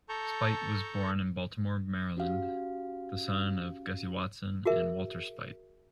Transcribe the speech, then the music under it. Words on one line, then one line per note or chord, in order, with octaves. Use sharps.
Speight was born in Baltimore, Maryland, the son of Gussie Watson and Walter Speight.
A4 A5 A#5 C#6 G6
C#4 F#4 G4 F5 F#5
F#4 G#4 A#4 E5